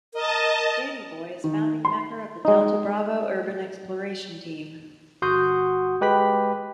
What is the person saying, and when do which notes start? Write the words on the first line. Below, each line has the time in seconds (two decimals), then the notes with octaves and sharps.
Danny Boy is founding member of the Delta Bravo Urban Exploration Team.
0.14 A#4 D#5 A5
1.44 D#3
1.85 C6
2.45 G#3 D#4
5.22 G1 F#4 F#5 C6 D#6 G6
6.01 G#3 G4 B4 G5 B5 B6